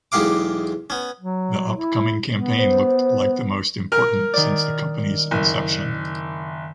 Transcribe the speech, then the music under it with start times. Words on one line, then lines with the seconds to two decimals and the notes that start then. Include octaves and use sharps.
The upcoming campaign looked like the most important since the company’s inception.
0.12 B1 E2 G#3 G4 F5 D6
0.90 B3 C#4
1.20 F#3
1.76 E4
2.33 B3
2.59 C5
3.92 A#4 F6
4.34 D#3 D5
5.31 F#1